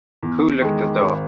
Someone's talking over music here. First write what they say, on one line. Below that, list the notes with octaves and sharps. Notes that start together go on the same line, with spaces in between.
Who locked the door?
E2
D#3 G#3
G#1